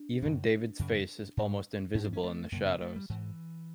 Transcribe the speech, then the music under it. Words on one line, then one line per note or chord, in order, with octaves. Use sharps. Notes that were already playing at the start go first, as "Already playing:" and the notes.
Even David's face is almost invisible in the shadows.
Already playing: D4
F#2 C#3
F#2 C#3
G#2
G#2 C#4
D4
C#4
A3
F#2 C#3 A#3
B3
A3
G3
G#2 E3